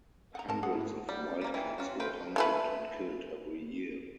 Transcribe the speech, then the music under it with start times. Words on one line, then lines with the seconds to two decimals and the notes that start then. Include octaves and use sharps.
Hundreds of wildcats were hunted and killed every year.
0.35 F#5 A#5
0.48 G#2 C4 A#4 A5
0.63 G#4 F#5
0.75 E4
1.09 G3
1.27 C#4
1.41 G3 A#3
1.54 E3 G5
1.78 C#4 F4 F#4
2.00 F4 A4 B4 G5
2.36 E3 A3 B4